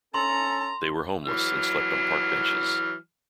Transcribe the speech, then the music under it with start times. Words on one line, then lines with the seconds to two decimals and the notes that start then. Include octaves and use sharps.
They were homeless and slept on park benches.
0.14 C#4 A4 A#5 C6
1.26 E3 F#3 F6